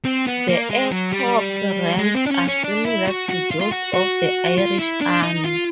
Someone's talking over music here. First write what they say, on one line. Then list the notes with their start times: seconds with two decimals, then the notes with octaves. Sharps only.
The Air Corps' ranks are similar to those of the Irish Army.
0.05 C4
0.27 B3
0.49 A#3
0.70 G#3
0.92 F#3
1.13 G3
1.99 G#3
2.15 C4
2.27 D4
2.31 C#4
2.48 C#4
2.64 D4
2.85 E4
3.08 F#4
3.29 F#4
3.51 F4
3.61 F4
3.72 F#4
3.94 F#4
4.58 F4
4.79 E4
5.01 D4
5.23 D#4
5.44 F4